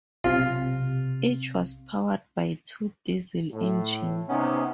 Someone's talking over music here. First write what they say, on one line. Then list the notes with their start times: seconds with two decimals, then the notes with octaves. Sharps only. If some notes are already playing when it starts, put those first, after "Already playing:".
Each was powered by two diesel engines.
0.24 B1 C3 F4
3.52 A2
4.29 C3 B3 C#4 D#4